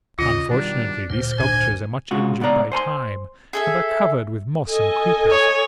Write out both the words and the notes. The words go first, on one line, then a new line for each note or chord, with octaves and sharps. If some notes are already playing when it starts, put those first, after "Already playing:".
Unfortunately these sculptures are much injured by time, and are covered with moss and creepers.
D#2 C#3 F4 D#5
B2 D#3 G3 D4
D2 A#2 C5
G#1 D2 D4 G#5
C#3 G#3 F4 F#4
C#2 B2 D4 D5 A#5
C5 G#5 A5 C6
G#4 A4 E5
A4 D#5 G#5
C#5